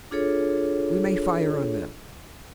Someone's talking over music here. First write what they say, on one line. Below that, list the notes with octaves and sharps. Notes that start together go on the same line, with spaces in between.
We may fire on them.
D4 F4 G#4 A4 C#5